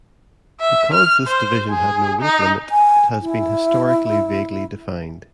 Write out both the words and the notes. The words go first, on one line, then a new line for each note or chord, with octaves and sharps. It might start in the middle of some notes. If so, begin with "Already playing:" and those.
Because this division had no weight limit, it has been historically vaguely defined.
E5
F6
C5
G#4
D#4
G#5
E4